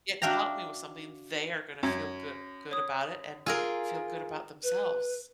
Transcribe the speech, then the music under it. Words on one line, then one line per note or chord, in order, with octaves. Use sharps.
get to help me with something, they are gonna feel goo good about it and feel good about themselves.
D4 F#4 E5 F5 G5 A#5
F#2 C#5 G#6
C#5 D#6
F4 G#4 A#4 G#5 E6
B4